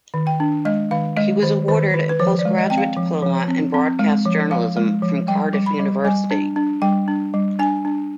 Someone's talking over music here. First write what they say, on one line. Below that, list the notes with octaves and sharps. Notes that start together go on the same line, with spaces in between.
He was awarded a post-graduate diploma in broadcast journalism from Cardiff University.
D#3
G5
D4
G#3 D#5
D#3 F5
G#3 D#5
D#3 C5
D#3 C5
D#3 B4
B4
F3 C5
D5
G#3
D#5
C4 G5
F5
F3
F3
C4
C4
G#3
F3
F3 F5
G#3
F3
G3 G5
G3
B5
G3
G3 G#5
D4
D4
G3 G5
D4
G3
D4 G#5
D4